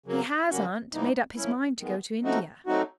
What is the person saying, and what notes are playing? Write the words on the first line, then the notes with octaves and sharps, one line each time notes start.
"He has, aunt, made up his mind to go to India."
C#3 F#3 A#3
D3 G3 A#3 C#4 F#4
C3 E3 G3 A#3 D#4
F3 A#3 C#4 E4
D#3 G#3 B3
F3 A3 C4 D#4 F#4
F#3 A3 C4 D#4 F#4